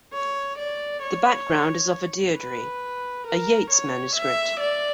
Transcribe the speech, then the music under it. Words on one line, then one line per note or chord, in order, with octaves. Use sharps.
The background is of a Deirdre, a Yeats manuscript.
C#5
D5
C#5
B4
A#4
C#5
E5
D5